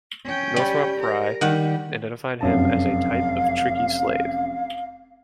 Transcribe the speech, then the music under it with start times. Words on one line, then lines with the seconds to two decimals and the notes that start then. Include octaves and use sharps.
Northrop Frye identified him as a type of tricky slave.
0.24 C#4 G5
0.56 G3
1.00 A#4
1.41 D#3 G3 F#5
2.41 F1 F#2 F5 A5